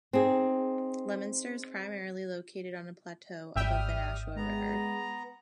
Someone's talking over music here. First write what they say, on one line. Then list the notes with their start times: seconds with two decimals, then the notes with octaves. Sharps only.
Leominster is primarily located on a plateau above the Nashua River.
0.13 C4 D#4 G#4
3.56 G#1 G3 E5 G5 D#6 F6
4.37 G#3 B3 A#5